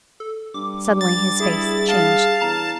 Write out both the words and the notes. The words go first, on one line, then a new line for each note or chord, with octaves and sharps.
Suddenly his face changed.
A4
G2 D6
A6
E4 G#4
F5 A5
E2 A#5